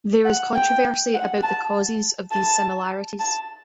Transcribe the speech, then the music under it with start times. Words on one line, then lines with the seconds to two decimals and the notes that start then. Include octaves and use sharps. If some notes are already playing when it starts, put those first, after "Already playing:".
There is controversy about the causes of these similarities.
0.25 F#5
0.55 G5
1.14 F#5
1.43 A5
2.31 A5
3.19 A5